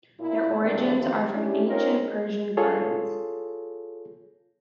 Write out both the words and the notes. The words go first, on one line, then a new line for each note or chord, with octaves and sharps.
Their origins are from ancient Persian gardens.
A#2 E4
E2 G2 C3 A3 C4 D4
F2 D#3 F4 G4 C5
C#4 D4 E4 G4
C4 C#4 D#4 F4 A#4
G#3
F4 G#4 A4 C#5